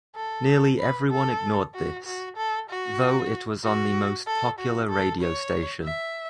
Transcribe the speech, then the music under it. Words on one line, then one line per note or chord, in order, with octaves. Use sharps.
Nearly everyone ignored this, though it was on the most popular radio station.
A4
B4
A4
F#4
F#4
A4
F#4
F#4
A4
F#4
A4
C#5
E5